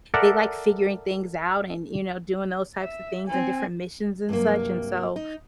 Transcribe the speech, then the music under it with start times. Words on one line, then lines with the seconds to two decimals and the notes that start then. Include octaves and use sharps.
they like figuring things out and, you know, doing those types things and different missions and such, and so,
0.14 A4 A#4 D5 E5 F#5
2.80 E5
3.28 C4 G#5
4.29 G2 C3 F#3 A#3
5.16 D#4